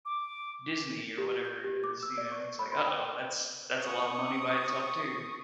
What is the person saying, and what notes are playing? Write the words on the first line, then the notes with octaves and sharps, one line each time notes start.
Disney or whatever it is, you know, it's like, "Uh-oh, that's that's a lotta money by itself too."
D6
G4
G6
G4
D6
E6
D5
C#6
B5
C6
G5
C#6 D#6